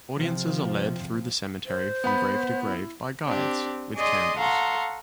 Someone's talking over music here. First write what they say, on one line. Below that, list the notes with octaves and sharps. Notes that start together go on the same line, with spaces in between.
Audiences are led through the cemetery from grave to grave by guides with candles.
C3 F3
C5
B3 F#5 B5
E4
C4 D4 G4
G#4 D5 D#5 C6 D#6
A4 F5 F#5 A#5 C6 C#6